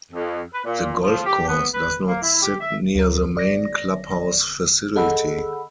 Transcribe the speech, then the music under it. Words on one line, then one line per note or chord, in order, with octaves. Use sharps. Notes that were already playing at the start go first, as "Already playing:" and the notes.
The golf course does not sit near the main clubhouse facility.
F2
B4
A#2
F3
G4
B3
B4
A#3
E4
G4
E5
D2 A#4
D5 A#6
G#4 A4 D#5 F#5 B5 E6